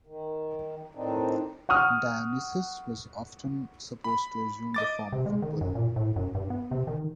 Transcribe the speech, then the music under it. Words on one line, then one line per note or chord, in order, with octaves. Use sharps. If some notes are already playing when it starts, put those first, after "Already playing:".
Dionysus was often supposed to assume the form of a bull.
D#3
A2 D#3 C4 D4 D#4
F#5 C#6 D#6 F6
B5
D#5 D6 A6
C3
G#3
D#3
F#2
A#2
A2
F#2
G2
B3
C3
D#3